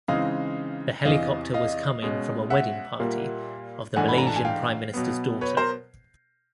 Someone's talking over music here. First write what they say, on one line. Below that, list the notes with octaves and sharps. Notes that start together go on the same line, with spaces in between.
The helicopter was coming from a wedding party of the Malaysian Prime Minister's daughter.
C#3 E3 G#3 C4 D#4 D#5 F5
E2 C3 E3 D#5 F5
D#5 F5
B2 G#3 C#4
E5 F#5
A#2 G3 A#3
G#2 E3 A3 D4 F#5 G#5
B5
A#5
A5
G#5
F5 G5
B2 F#3 B3
B4 C#5
A#4 C5